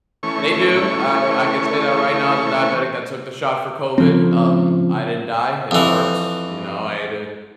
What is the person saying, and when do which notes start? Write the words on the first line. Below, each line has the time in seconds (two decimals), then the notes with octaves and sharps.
They do, I I could say that right now as a diabetic that took the shot for COVID, um, I didn't die, it worked, you know? I had to
0.23 E3 A3 C#4 C#6
3.98 C#3 F3 C4
5.71 F2 E3